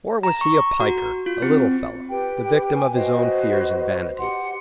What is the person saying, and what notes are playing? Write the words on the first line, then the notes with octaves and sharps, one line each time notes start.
Or was he a "piker"; a little fellow, the victim of his own fears and vanities?
A#5
C#6
F#4
F4
C4
G4 B4 G5
G5 G#5
F#4 B4 C5 D#5
G4 F#5 C6